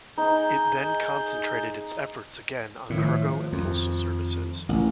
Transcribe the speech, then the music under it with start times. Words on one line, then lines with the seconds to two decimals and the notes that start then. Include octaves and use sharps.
It then concentrated its efforts again on cargo and postal services.
0.18 D#4 G#4 G6
2.90 A2 D#3 F3
3.53 F2
4.69 A1 A#4 F6